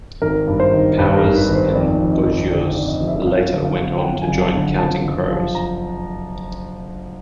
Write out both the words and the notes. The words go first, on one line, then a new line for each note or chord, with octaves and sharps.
Powers and Bogios later went on to join Counting Crows.
G#1 A#4
G2
C5
D#3
G2 B4
A#4
G#1
B4
D#3
C5
F2 D5
F1
D#5
F1
D3 D5
D5
F1
D#5
F1
E5
F#2 F5
D3
F5
D3
G5
F3 F#5
G#5
F#1
A5
D3
F3 A5
F#1
F3
A#5